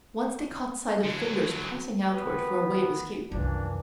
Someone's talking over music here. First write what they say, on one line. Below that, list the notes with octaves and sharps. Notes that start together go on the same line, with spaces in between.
Once they caught sight of fingers pressing outward for a way of escape.
D3 F#3
B3 G4 B4
C2 F#2 A#2 D#3 E3 D4